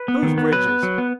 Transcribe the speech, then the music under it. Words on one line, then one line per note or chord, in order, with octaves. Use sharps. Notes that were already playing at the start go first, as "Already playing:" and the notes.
Whose bridges?
Already playing: B4
B3
D#3
B3
F#3 B4
B3
F#3
B3